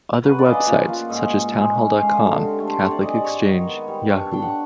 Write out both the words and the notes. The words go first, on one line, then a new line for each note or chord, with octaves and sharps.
Other web sites such as Townhall dot com, Catholic Exchange, Yahoo!
F#3 B4
D5
C#3 D#5
D5
A#2
A#2
G#2 D#5
G#2
G#3
C#4
G#3 F5
D3
C3
A3
C5
C3 C#5
D5
G#3 D#5
D5
G#2 C#5
D#3
B3
G3
D4 C#5
D4 G5
F#5